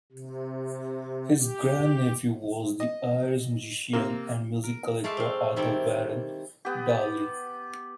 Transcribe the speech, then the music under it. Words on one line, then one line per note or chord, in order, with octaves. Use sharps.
His grandnephew was the Irish musician and music collector Arthur Warren Darley.
C3
G4
D#5
C3 A#3
A#4
G#3 A3 D5 E5 F5
C4 F5
D#3 G3 A#3 C4 E4
B3 G4